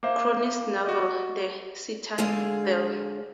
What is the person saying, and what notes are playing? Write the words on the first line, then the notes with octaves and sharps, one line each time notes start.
Cronin's novel, "The Citadel".
A#3 C5 E5 F5 D6
F#4 D5 D#5
D3 G#3 G#4 F5